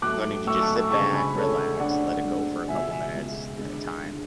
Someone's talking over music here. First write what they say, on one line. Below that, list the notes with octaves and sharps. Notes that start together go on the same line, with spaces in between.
learning to just sit back, relax, let it go for a couple minutes at a time.
A2 F#3 A3 D6 F#6
A2 F#3 A3 C#6 E6
A5 C#6
C#6 E6
D2 C#3 G#3 A5 C#6
G#5 B5
D2 C#3 G#3 A4 C#5
D2 D3 G#3 D5 F#5
D2 D3 G#3
C#2 B2 G#3 E5 G#5
E5 G#5
C#2 B2 G#3
E2 D3 G#3
D3 G#3